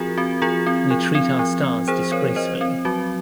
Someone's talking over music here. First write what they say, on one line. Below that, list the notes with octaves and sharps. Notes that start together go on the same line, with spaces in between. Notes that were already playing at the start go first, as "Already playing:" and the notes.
We treat our stars disgracefully.
Already playing: F3 C4 F4 F#4 G#4 A#4
C4 F#4
F3 F4 G#4
C4
F3
C4
F3
C4
F3 G#4 C5
C4 A#4 C#5
F3 C5 D#5
C4
F#3 F#4